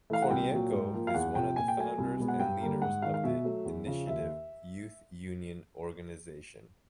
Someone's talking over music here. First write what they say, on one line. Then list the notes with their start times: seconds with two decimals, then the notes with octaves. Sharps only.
Kornienko is one of the founders and leaders of the Initiative Youth Union organization.
0.10 E3 A3 F5
0.22 F#5
0.30 C2 G5
0.51 A#2 F#3
0.72 G#2
0.94 F3 A#3
1.07 F5
1.14 E2 F#5
1.35 C3 F3 G5
1.56 A#2 G#5
1.68 G5
1.77 F#3 A3 G#5
1.98 C2
2.19 B2 G#3 B3
2.28 F#5
2.40 G2 G5
2.61 D3 G3 A#3
2.82 G#2 F#5
3.02 D#3 G#3 F5
3.14 F5
3.24 B2 E5
3.45 F#3 A3
3.65 E2
3.86 C#3 F3
4.07 D#2 E5